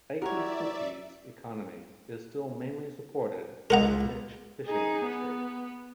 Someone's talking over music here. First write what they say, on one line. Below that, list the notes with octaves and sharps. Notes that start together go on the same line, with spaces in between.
Ikitsuki's economy is still mainly supported by a niche fishing industry.
E4 F#4 G4 A#4 C#5 D5 E5
C#2 G#3 A#4 F#5 A#5
D#4 G#4
B3